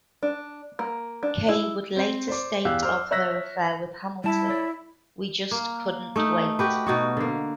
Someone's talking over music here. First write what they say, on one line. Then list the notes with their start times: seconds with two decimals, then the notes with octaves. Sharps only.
Kaye would later state of her affair with Hamilton: We just couldn't wait.
0.23 D4
0.79 A#3
1.23 D4
1.49 E4
1.96 C4 C5
2.28 C5 D5 D6
2.65 E2 G4 F5 E6 F#6
2.83 C5 D5 D6 E6 F6
3.11 C#5 E5 E6 F#6 A#6 B6
4.24 G3 E4 A5
4.49 A4 C#5 D5
5.51 A#3
6.16 A3 D#4
6.59 F#4 G4 B4
6.86 B2 D#4 F#4
7.17 D3 A#3